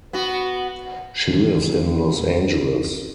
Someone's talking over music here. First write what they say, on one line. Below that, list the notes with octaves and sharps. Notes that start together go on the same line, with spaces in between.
She lives in Los Angeles.
B3 F#4
D#3 E3 D4